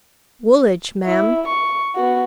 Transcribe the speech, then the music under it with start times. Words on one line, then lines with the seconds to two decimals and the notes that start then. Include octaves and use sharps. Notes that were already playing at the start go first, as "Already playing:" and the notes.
"Woolidge, ma'am."
1.06 E4
1.47 C#6
1.96 B3 F#4